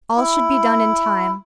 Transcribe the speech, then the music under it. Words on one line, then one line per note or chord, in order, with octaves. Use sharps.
All should be done in time.
E4